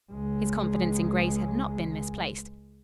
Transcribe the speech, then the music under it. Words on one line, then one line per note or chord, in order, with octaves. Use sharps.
His confidence in Grace had not been misplaced.
C#2 G#3